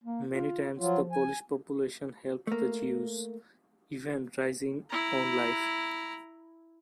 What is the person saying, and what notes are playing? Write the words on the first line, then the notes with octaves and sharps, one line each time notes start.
Many times, the Polish population helped the Jews, even rising own life.
A#3
F4
F3 F#3 F4
G#5
A3 A#3
E4 A#5